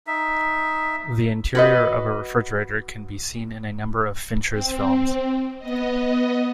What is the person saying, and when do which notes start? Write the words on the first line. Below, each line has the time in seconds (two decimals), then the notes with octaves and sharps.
The interior of a refrigerator can be seen in a number of Fincher's films.
0.07 D#4 E5
1.55 F#4 B4 D#5
4.49 C4
5.59 B3 D#5